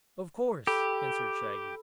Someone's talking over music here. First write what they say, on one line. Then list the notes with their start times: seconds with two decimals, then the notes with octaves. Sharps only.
"Of course," answered Shaggy.
0.67 G4 A4 B5